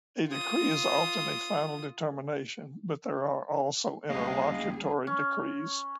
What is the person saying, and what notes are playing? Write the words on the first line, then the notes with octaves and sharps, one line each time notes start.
A decree is often a final determination, but there are also interlocutory decrees.
F4 D#6
D2 G3 A#3 C#4 G#4 D#5 F5 A#5
C#4